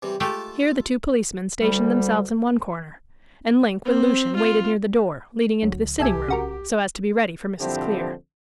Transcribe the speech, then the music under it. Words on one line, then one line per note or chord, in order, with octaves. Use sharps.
Here the two policemen stationed themselves in one corner; and Link, with Lucian, waited near the door leading into the sitting-room, so as to be ready for Mrs. Clear.
C3 E3 G3
G#3 A3 F4 G4 A4 E5
D2 G3
C4
F4
D2 F#3
C2 G4 A4 E5 G#5
C#3 F#4 A#4
A#1 D3 F3 C4 E4 G4